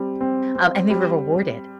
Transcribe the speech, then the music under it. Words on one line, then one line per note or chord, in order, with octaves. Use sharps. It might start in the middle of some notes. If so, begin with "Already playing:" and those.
Um, and they were rewarded
Already playing: G3 C4
C4
C4
G3